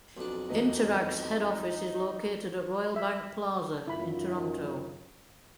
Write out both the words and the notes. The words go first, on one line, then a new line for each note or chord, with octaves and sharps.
Interac's head office is located at Royal Bank Plaza in Toronto.
B1 F2 D4
E2 B3 D#4 D#5
E5
F#2 D#3 E4 F4 B5